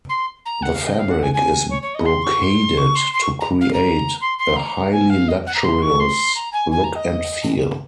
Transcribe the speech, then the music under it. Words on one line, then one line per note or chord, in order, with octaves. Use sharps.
The fabric is brocaded to create a highly luxurious look and feel.
C6
A#5
F#5
F5
D#5
F5
F#5
G#5
G#5
C#5
C#5
D#5
C6
C#6
C6
C#6
C6
C6
C#6
A#5
F5
A#5
C6
C6
A#5
G#5
F5
D#5
F#5
A#5
C6
C#6
C6
A#5
G#5
G#5
A#5
D#5